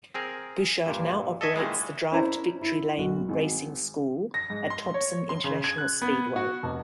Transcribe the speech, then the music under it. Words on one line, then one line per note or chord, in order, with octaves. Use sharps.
Bouchard now operates the Drive to Victory Lane Racing School at Thompson International Speedway.
C4 G#4 A#4
G2 A#2
A4 D#5 E5 G#5
A#2 D#3 E3 G#3
C#4 D4 E4 C5 C#5 A#5
E4
B1 F#4
G#1
A#6
G#2
C6
C#5
C6
C#3
G#6
F#6
B3
F#4
F1